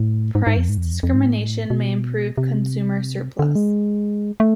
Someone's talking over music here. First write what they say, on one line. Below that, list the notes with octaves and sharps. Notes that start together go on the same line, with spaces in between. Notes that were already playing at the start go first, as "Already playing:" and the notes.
Price discrimination may improve consumer surplus.
Already playing: A2
G#2
G#2
F2
G#2
F2
E2
F2
F2
G#2
A2
B2
C3
D3
G#3
A3